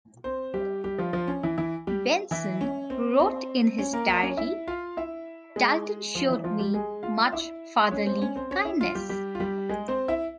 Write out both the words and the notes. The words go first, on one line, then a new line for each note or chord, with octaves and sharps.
Benson wrote in his diary "Dalton showed me much fatherly kindness".
C4 C5
G3 G4
G3 G4
F3 F4
F3 F4
C#4
E3 E4
E3 E4
G3 G4
E3 E4
C#4
C4
C4
C#4
A#3 A#4
A#3 A#4
C#4 C#5
E4 E5
F4 F5
E4 E5
G#3 G#4
F3 F4
E3 E4
F3 F4
G3 G4
G#3 G#4
F4 F5
E4 E5
C#4 C#5
C4 C5
C#4 C#5
C4 C5
C#4 C#5
E4 E5
F4 F5
G3 G4
G3 G4
F4
G3 G4
G#3 G#4
C4 C5
E4 E5